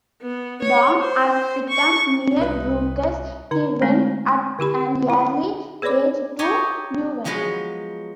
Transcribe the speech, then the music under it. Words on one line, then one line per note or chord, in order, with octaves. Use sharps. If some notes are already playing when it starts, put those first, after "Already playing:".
Born at Pittem near Bruges, he went at an early age to Leuven.
B3
C#5
C5
C#6
C2 D#4 B4
D3 D#4 A#5
G#3 A3 C4 C#4
D3 E4 G4 B5
E4
G#4 B4 C#5 D5 B5 D6
D#4 G4 C#5 G#5
F3 F#3 G#3 B3 B4